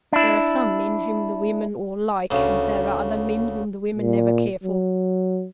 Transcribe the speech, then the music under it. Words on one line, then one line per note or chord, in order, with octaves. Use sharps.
There are some men whom the women all like, and there are other men whom the women never care for.
D4 E4
D2 C#3
A#2
F#3